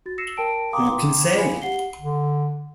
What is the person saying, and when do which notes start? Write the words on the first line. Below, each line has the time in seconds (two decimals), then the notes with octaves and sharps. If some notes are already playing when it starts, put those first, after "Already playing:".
Who can say?
0.06 F#4 A6
0.18 E6 A#6 C7 C#7 E7
0.37 A#4 G5 A5 D7
0.73 F5 G5 A#5 C6 D6 D#6
1.38 F5 G#5 B5
1.62 G4 F#5 C7 G7
2.00 D3